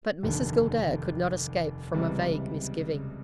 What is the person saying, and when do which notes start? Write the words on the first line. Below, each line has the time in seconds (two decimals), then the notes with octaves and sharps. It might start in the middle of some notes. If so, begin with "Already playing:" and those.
But--Mrs Gildea could not escape from a vague misgiving.
0.23 F1 D#2 D3
1.94 C#2 C3 E3 G3